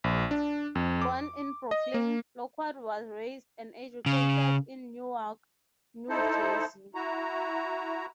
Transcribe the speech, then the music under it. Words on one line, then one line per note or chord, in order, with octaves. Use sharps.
Born in Brooklyn, Lockwood was raised and educated in Newark, New Jersey.
A#1
D4
F2
D6
D#5
A#3
C#3
D#4 E4 A4 C5
E4 F#4 A#5